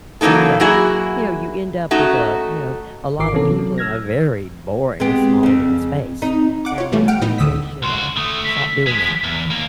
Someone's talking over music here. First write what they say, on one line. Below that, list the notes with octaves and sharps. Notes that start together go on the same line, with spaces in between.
that, you know, you end up with a, you know, a lot of people in a very boring, small little space, and I think they should, uh, stop doing that.
C#3 E3 F#3 A#3 D#4 A4
F#3 A#3 E4 F#4 G#4
A3 C#4 D#4 F#4
G#1 D#3 F4 A#4 D6 C7
C3 E3 B3 C#4 A4
F#3
E6 F6 G#6 A#6
G#3 B3 C4 G4
F2 C#3
C4 D#4
F#5 D6
F4 C#5
B2 E3 G3 A3
F#5 G5 F6 D7
A2 B3 D#4
D2 D3 D#6 E6 B6
C#2 F#4 C6
D3 A3 D#6
B6
F3 G#3
E2
D#2 A#3